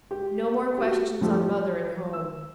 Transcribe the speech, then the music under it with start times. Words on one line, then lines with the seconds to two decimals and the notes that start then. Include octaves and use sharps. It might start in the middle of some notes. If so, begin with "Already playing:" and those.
No more questions on mother and home!
0.11 G4
0.78 F#4 G4
1.21 A2 F3 G3 A3
2.13 E6